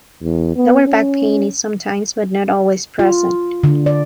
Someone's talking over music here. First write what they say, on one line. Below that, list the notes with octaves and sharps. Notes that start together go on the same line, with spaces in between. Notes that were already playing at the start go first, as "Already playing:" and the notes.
Lower back pain is sometimes but not always present.
E2
B3
C#4
F4
D3
D5